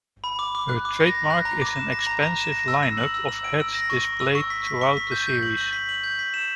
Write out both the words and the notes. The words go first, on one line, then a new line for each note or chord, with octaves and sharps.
Her trademark is an expansive lineup of hats displayed throughout the series.
B5
D6
D6
F#6
D6
A#6
A#6
F#6
A#5
D6
E7
A#6
A#5
A#5
E7
A#6
E6
E6
F#7
E6
E6
D7
E6
A#6
C#6
C#6
E6
C#6
B6
B6
C#6
B6
G6
G6
F#7
F#7
B6
F#7
G6
B6
E7